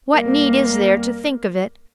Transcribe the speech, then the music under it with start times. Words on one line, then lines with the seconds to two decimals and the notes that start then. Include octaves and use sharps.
What need is there to think of it?
0.13 F2 G3 A#3 A#4